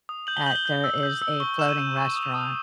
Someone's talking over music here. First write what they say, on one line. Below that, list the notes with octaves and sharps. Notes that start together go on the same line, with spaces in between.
at there is a floating restaurant
D#6
G6 F#7
G7
G6 F#7
G7
G6
E6
G6
E6
C#6 G7
E6 E7
D#7
G6
C#6
D#6
D#6